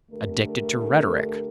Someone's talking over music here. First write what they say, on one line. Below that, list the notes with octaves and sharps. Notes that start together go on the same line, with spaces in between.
Addicted to rhetoric.
D3 A3 D4 G4 A#4